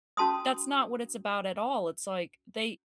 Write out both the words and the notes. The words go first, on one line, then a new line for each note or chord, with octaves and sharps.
that's not what it's about at all, it's, like, they
C#4 F#4 A5 C6 D#6